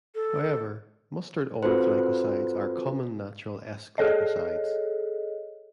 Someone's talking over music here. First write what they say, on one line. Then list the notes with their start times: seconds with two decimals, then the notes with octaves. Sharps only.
However, mustard oil glycosides are common natural S-glycosides.
0.15 A4
1.63 C4 F4 F#4 A4 B4 C5
3.98 G#4 A4 C#5 D#5